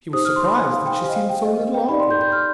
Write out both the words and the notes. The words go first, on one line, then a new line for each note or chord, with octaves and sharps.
He was surprised that she seemed so little awkward.
D#4 G4 C5 D#6
F6
C6
B5
G#5
F5
G5
G4 C5
D#5
F5
G5
D#5
D#5
G5
D#4 G4 D5 B5
C6
G6
G6
F6